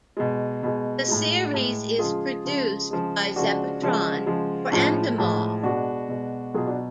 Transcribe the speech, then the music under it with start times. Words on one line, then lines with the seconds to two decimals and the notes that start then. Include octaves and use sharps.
The series is produced by Zeppotron for Endemol.
0.17 B2 G#3
0.63 B2 G#3
1.08 A2 G#3
1.54 A2 G#3
1.99 C#3 F3 G#3 F4 G#4
2.45 C#3 F3 G#3
2.91 C#3 F3 G#3
3.36 C#3 F3 G#3 D4 F#4
3.82 C#3 F3 G#3
4.26 C#3 F3 G#3
4.72 A2 F3 G#3 C#4 F4
5.18 A2 F3 G#3
5.63 B2 G#3 D4 F#4
6.08 B2 G#3
6.54 B2 F#3 F4 G#4
6.66 D4 F#4